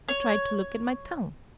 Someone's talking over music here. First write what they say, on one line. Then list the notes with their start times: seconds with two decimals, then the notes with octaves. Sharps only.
I tried to look at my tongue.
0.08 C#5